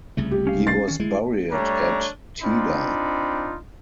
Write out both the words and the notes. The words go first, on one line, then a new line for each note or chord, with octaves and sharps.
He was buried at Teda.
C2 C#3 A3
G4
C#4 F5
A6 C7
D#3 C#4
G#3 E4
G3 A3 D4 C#5 A#5
C4 D4 D#4 F4 B5